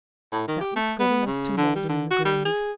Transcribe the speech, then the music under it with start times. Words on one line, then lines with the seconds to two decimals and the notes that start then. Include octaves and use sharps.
That was good enough to moulder in the grave.
0.32 A2
0.48 D#3
0.61 G4
0.76 A3
1.00 B3
1.27 C#3
1.57 D3
1.75 G3
1.89 D3
2.10 F#4
2.25 G3
2.45 G#4